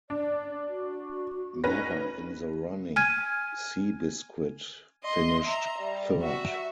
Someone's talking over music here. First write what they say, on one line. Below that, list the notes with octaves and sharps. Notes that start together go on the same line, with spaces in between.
Never in the running, Seabiscuit finished third.
D4 D5
F#4
C#4 D#4 B4 A#6
G#5 F6 G#6 D#7
D#5 C6
E5 A#5
G3
F#4 E5